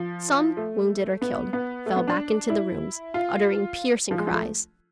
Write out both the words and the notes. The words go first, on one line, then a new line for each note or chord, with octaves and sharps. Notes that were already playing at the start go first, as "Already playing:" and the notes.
Some, wounded or killed, fell back into the rooms, uttering piercing cries.
Already playing: F3
A3
B3
B3
A3
B3
D4
E4
F4
F3
G#3
F3
A3